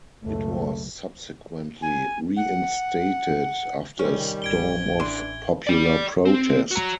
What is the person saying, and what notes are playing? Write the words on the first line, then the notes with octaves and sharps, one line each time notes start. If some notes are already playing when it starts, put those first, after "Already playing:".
It was subsequently reinstated, after a storm of popular protest.
F#1 C#2 B2 A3
G#5
F#5
C3 D#3 G3 C#4
A1 G#6 D7 G7
E3 D4 C6
D5 G5
C4
F#4 A#5